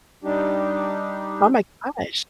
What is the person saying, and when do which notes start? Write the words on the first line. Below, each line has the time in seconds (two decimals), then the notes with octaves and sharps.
Oh my gosh.
0.24 G3 D4 D#4 G4